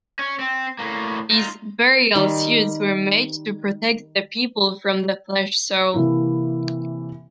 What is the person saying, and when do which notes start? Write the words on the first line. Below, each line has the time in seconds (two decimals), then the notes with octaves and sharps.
These burial suits were made to protect the people from the flesh-soul.
0.19 C#4
0.39 C4
0.79 A2 A#3
1.31 D#4 F4
2.15 D#3 G3
5.94 C3 E3 A#3 E4